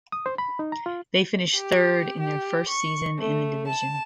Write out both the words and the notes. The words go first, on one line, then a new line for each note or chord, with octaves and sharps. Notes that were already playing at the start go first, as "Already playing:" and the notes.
They finished third in their first season in the division.
D#6
C5
B5
D#4
A#5
F4
G4
G4
C#6
A3
A5